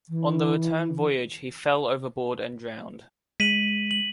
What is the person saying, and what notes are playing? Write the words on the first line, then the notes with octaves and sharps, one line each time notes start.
On the return voyage he fell overboard and drowned.
E3
G#3 B6 D#7 F#7
F#7